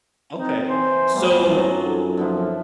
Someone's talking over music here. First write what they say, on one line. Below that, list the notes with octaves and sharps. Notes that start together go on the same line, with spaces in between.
Okay, so
C4 D#4
E3 C5 G#5
A2 C3 G3 B3 C4
F#2 F#3 C#4 F4 A5 A#5
D#4 A4
D3 F3 B3 E4